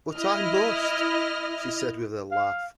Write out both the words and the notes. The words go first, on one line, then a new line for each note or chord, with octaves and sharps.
"But I must," she said with a laugh.
E4 D#5 F6
F5